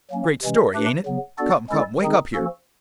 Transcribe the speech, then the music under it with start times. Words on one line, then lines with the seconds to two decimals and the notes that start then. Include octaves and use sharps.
Great story, ain't it? Come, come, wake up here.
0.11 F#3 A#3 C#4
0.43 C3 E3 G#3 C#4
0.74 A3 D4 G4 B4
1.06 C#3 F#3 B3
1.38 B3 D4 F#4 A4 D5
1.70 G#3 C#4 E4 A4 D5
2.02 D#3 G#3 C4 D#4 G#4
2.34 F3 A#3 C#4 F#4 A4